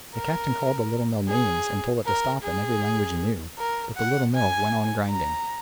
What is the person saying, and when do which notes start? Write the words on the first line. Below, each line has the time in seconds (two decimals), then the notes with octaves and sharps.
The Captain called the Little Mill names and told it to stop, in every language he knew, but the Little Mill went on grinding.
0.14 A#4
1.28 G#4
2.05 A#4
2.43 G#4
3.58 A#4
3.96 F#5
4.34 G#5
5.10 A#5